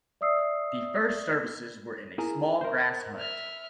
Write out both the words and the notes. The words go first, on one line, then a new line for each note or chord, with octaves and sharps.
The first services were in a small grass hut.
D5 E5 D#6 E6 C7
E4 G#4 A#4
A#4 C5
E5 F6